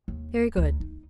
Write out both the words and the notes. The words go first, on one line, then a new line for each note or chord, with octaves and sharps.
"Very good."
D#2
D2
D#4